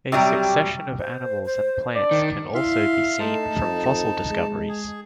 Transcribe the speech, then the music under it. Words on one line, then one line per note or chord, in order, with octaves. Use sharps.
A succession of animals and plants can also be seen from fossil discoveries.
C3 F#3 G3 G4
C5
C5
D4 D5
D#3
E4 E5 F5 C6
A3 D#4 A5
F2
G#3
G#4